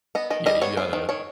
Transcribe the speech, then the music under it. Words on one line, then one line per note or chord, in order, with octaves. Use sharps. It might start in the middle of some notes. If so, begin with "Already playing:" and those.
Yeah. You gotta
B3 D#5
D#3 D#5
G3 D#5
B3 C#5
B3 C5
D#3
D#3 C#5